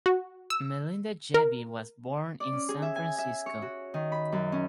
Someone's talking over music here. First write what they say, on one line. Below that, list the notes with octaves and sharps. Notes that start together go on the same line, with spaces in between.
Melinda Gebbie was born in San Francisco.
F#4
E6
A#4
D5
C#4
G#4
E5
G#5
E5
C#5
F#4
D#3
B5
F#2
C#4